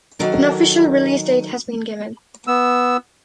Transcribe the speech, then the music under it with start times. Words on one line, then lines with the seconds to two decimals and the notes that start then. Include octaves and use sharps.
No official release date has been given.
0.19 D#3 F#3 A4 A#4
2.47 B3 E6